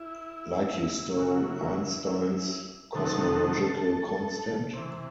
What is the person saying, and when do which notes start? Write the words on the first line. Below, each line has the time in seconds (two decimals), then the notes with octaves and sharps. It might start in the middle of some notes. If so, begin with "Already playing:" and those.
Like you stole Einstein's cosmological constant?
Already playing: E4
1.16 C#3 F#3
2.94 C3 D#3 F#3 A4
4.73 C3 E3